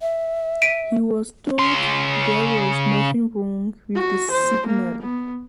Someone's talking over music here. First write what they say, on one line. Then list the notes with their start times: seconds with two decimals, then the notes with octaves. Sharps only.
He was told there was nothing wrong with the signal.
0.01 E5
0.62 B6 D7 D#7
1.59 C#3 C6
3.95 F#4
4.31 C5
4.67 A#3
5.02 B3